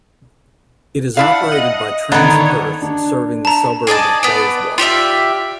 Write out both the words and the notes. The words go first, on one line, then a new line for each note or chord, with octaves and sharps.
It is operated by Transperth serving the suburb of Bayswater.
D4 E4 F5 F#5
D#5
D3 D#3 B3 D4 C#5
D4
A5 A#5
G#4 D5 D#5 A5
B3 D5
F4 G4 D5 E5